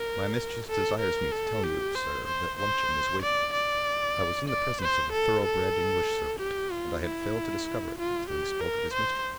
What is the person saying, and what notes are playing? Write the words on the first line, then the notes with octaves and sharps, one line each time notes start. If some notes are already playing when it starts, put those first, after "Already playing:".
"My mistress desires me to tell you, sir, that luncheon is waiting." I was in the presence of a thoroughbred English servant--and I had failed to discover it until he spoke of his mistress!
Already playing: A#4
A4
A#4
A4
G4
C5
C5
C5
D5
D5
D5
C5
A4
A4
G4
F4
E4
F4
G4
A#4
C5